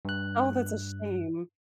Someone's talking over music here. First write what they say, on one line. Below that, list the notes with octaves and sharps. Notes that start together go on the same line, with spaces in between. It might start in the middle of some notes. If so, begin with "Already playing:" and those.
Oh, that's a shame.
G2 F#6